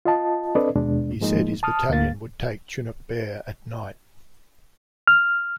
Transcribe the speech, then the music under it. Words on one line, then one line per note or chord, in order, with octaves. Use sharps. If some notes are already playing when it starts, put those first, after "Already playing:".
He said his battalion would take Chunuk Bair at night.
F4 D#5 A5
C4 D4 A4 B4 D5 D#5
D#2 B2 G#3 D4
G#2 F3 G#3 A#3 D#4
A5 D#6 F6
D2 A#3 F5 A6
F6